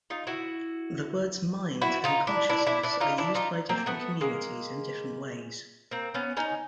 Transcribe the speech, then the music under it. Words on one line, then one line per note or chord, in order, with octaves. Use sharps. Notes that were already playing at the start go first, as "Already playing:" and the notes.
The words "mind" and "consciousness" are used by different communities in different ways.
D#4 F4
E4 F#4
E4 F#4
D#4 F4
D4 E4
D4 E4
D4 E4
D4 E4
D#4 F4
D4 E4
D#4 F4
A#3 C4
A3 B3
G#3 A#3
A#3 C4
B3 C#4
C#4 D#4